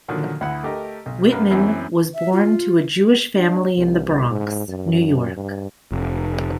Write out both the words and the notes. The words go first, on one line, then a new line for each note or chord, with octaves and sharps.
Whitman was born to a Jewish family in the Bronx, New York.
A#2 D3 D#3 F3 F#3
D2 E4 F#5
A3 G4 A#4 D#5
B1
F#2 A#3 B4
F#2 E3 B3 C4
E5
F4
D4
C2
G#2
F#2
G2
F1